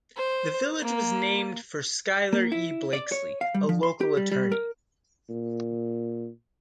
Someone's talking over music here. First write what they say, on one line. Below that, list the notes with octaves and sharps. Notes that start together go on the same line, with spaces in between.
The village was named for Schuyler E. Blakeslee, a local attorney.
C5
A#3
A#3
E4
D5
C#5
F5
G3
F3
C6
G4
G3
G3
A#4
A#2